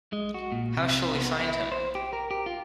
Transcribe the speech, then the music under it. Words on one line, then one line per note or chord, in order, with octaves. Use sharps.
How shall we find him?
G#3
F#4
A#2
C3
B3
E4
C5
G4
A#4
G4
F4